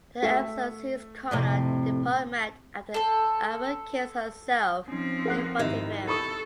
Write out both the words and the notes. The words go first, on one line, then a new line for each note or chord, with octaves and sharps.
The episode sees Connor depart Med after Ava kills herself in front of him.
A3 E5
F2 A2 C3
A4 C5
F3 C4 C#4 D#4
A#4 F#5 F#6
G#1 D#3 E4 G4 E5
A4 B5 C#6 D#6